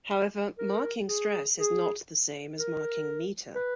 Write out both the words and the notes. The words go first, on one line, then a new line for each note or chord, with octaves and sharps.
However, marking stress is not the same as marking meter.
A#4
G#4
G#4
A#4
B4